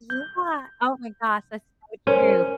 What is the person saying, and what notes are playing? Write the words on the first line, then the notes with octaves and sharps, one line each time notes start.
yeah, oh, my gosh, that's so true.
G6
C#4 A#4 C5